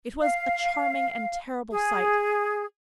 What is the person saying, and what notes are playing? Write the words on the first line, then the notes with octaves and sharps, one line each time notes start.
It was a charming and terrible sight.
F5
G#4